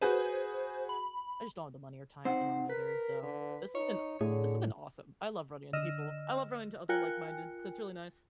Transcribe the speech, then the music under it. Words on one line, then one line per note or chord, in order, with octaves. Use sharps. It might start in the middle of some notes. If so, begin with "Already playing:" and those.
I just don't have the money or time at the moment either. So, this has been a this has been awesome. I love running into people. I love running to other like-minded so it's really nice
F#4 G#4 B4 C5
B5
C4 D#4 C5 F#5
A#4 B4 B6
D3
D#4 C#5
A2 D3 G#4
D3 D#5 E6 F6 A#6 E7
F4 A#4 G5 G#5 F#6 C#7